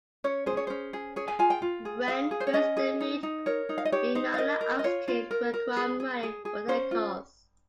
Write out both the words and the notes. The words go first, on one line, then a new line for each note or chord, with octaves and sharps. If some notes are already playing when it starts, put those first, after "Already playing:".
When first they meet, Bimala asks him to acquire money for their cause.
C#4 C#5
G#4 C5
C#5
C#4 C5
G#4
G#4 C#5
G#5
F4 G#5
G5
F4
G#4
G#4 F5
G#4
C5
C#5
C#4 D#5
G#4
D#4
D#4
A#4 C#5
D#4
F5
D#5
G4 C#5
D#4 C5
F5
A#4 D#5
A#4
D#5
F4 C#5
F4
A#4
A#4
G#4
G#4
G#4
G#4
C#4 C5
F4